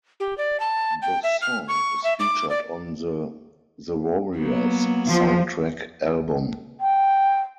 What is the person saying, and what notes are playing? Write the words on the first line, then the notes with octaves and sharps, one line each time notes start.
The song is featured on the "The Warriors" soundtrack album.
G4
D5
A5
G5
E5
F6
C#6
E5
D6
D5
F#3 A#3 B3
F3
G5